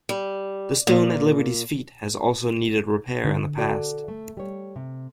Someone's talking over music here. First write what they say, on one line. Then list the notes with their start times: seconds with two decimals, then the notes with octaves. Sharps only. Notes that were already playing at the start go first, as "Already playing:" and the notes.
The stone at Liberty's feet has also needed repair in the past.
0.09 G3
0.87 A#2
3.24 D3 D#4
3.58 F#4 A4 D5
4.08 A3
4.37 G3 C#5
4.76 C3